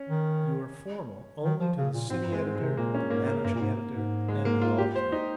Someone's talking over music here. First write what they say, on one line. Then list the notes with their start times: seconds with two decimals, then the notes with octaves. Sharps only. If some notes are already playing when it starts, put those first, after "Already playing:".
You are formal only to the city editor, the managing editor, and the auditor.
Already playing: C#4
0.09 D#3
1.44 D#3
1.60 F3
1.77 C#3
1.94 A#2
2.10 G#2 C4
2.26 G2
2.32 G#3
2.44 G#2
2.55 G#3
2.61 C3
2.77 A#2 A#3
2.95 C#4
3.10 G#2 A#3
3.27 A#3
3.44 G2 A#3
3.54 A#2
3.61 G#2
3.94 G#2
4.28 G#3
4.45 A#3
4.62 F4
4.78 G4
4.96 C5
5.12 D#4